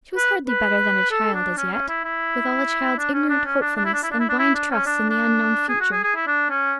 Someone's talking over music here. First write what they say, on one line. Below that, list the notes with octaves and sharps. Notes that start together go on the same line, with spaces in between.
She was hardly better than a child as yet, with all a child's ignorant hopefulness and blind trust in the unknown future.
B4
B4
A4
D4
C#4
C#4
E4
E4
D4
C#4
D4
C#4
D4
D4
E4
D4
E4
D4
E4
D4
E4
D4
C#4
D4
D4
G#4
F#4
G#4
G#4
E4
D4
C#4